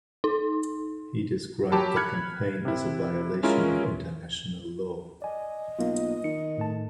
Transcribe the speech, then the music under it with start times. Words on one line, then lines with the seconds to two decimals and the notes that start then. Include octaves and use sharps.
He described the campaign as a violation of international law.
0.24 D#4
1.72 F#3 G4 A5 B5
1.96 B5 F6 F#6 G#6 C#7
2.65 C3 E4
3.43 G#3 C#4 E4 F4 A#4
5.22 D5 D#5 G#5
5.79 B1 A#3 F4
6.24 D#3 C#7
6.58 A2 A3 A5